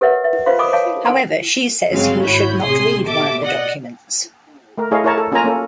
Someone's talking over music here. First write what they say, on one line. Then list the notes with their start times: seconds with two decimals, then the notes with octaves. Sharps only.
However she says he should not read one of the documents.
0.01 G4 A#4 B4 C#5 E5 F#5
0.24 E5
0.46 F4 B4 C5 F5 C6
0.59 A#4 D#5 G#5 B5 D6 D#6
0.73 C#5 F5 G#5 A5 D6
1.05 D#4 A#4 F#5 G#5 A5 C6
1.91 G1 C#3 F#3 G#3 C4 F5
2.21 G#1 E4 F#4 C#5 B5 G6
2.61 A1 C3 G#4 C6 D#6
3.05 B2 G4 A4 E5 D6
3.41 D5 D#5 F#5
4.78 A3 A#4
4.91 A3 E4 G#4 C#5 D#5 F5
5.04 E4 A#4 C#5 A5 A#5
5.18 A4
5.32 A#3 C#4 F4 A#4 G#5 A#5
5.44 A#3 C#4 A4